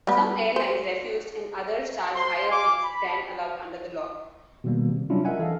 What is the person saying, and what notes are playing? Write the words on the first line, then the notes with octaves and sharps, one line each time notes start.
Some airlines refused and others charged higher fees than allowed under the law.
G3 B3
C5
C5 C6
F5 G#5 D6
B5
B2 D#3 G3 A#3
C3
F#3 G3 C#4 D4 E4 F4
A#4 D#5 E5 F#5 G#5
E3 A4 D#5 F5